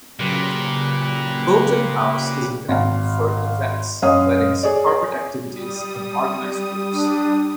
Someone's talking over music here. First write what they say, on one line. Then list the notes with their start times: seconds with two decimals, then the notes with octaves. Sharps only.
Boughton House is a venue for events, weddings, corporate activities and organised groups.
0.20 A#2 C#3 F#3 G4 B4
2.68 G#1 F5
4.02 F#2 C#4 D#5 F5 D#6
4.63 G#4 C#5 D5
5.49 G3 D#6
6.92 D4